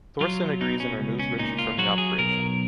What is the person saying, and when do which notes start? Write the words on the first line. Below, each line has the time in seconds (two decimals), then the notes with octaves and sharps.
Thorsen agrees and removes Richie from the operation.
0.21 F#3 F4
0.61 B2 D#4
0.80 C#4
0.99 C#2
1.19 C#4
1.39 A#2 D#4
1.59 F4
1.78 F#3 F#4
1.98 G#4
2.18 B1 A#4